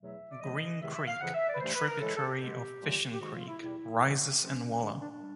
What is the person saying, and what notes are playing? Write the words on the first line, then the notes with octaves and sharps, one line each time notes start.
Green Creek, a tributary of Fishing Creek, rises in Waller.
E2 B2 F#3 A3 E5
D5
A2 F3 A3 D#5
E2 C3 D#3 G#3 E5
E5
F5
F2 C#3 E3 F#5
E5
D5
B4
G2 E3 A3 C5
B4
A#4
A2 E3 G#3 A4
A4
G4
B2 G#3
A#2 F#3 A3
G4
G#2 D#3 G#3 F#4
F4
E4
E2 B2 G3 E4
F#2 C#3 E3 G3
C3 F3 A3 C#4
G2 D3 F3 A3 D4
C#4
D4
D4
G3